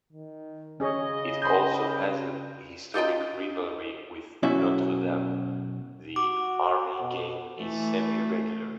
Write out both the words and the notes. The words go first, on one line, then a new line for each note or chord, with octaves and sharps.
It also has a historic rivalry with Notre Dame; the Army game is semi-regular.
D#3
C#3 C#4 G#4 C#5 D#5
B5 C6 G6
D#4 F4 D#5 G5
F#2 B2 C#4 E4 F#4 E5
F#4 D6
B2
E3 A3